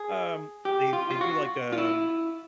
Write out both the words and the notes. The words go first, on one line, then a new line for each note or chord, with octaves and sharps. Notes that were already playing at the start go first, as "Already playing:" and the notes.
um they they do like, um
Already playing: G#4
G4
F4
F4
F#4
F4
E4